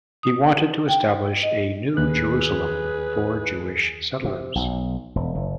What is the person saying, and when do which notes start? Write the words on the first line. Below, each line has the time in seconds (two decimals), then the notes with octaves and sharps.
He wanted to establish a "New Jerusalem" for Jewish settlers.
0.23 D#6
0.89 G5
1.43 D#5
1.97 D#2 G#4 B4 F#6
4.25 C3
4.55 B1
5.16 E1
5.35 F#1